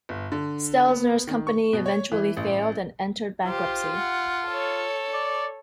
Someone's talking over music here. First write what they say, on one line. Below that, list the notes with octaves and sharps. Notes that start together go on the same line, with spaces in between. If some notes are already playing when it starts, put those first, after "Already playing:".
Stelzner's company eventually failed and entered bankruptcy.
G1
D3
B3
D#3
C#6
B2
C#5
E3
A1
F4 G4 C5
F#5
A4 C#5
D5